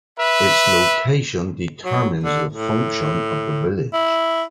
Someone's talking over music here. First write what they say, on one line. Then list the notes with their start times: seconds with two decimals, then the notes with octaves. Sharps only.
Its location determines the function of the village.
0.20 B4 E5
1.85 F#3
2.24 D3
2.53 A2
3.93 E4